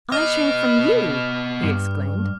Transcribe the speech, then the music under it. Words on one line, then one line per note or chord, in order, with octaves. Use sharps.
"I shrink from YOU!" he exclaimed.
B3 D#5 D6 F6
G2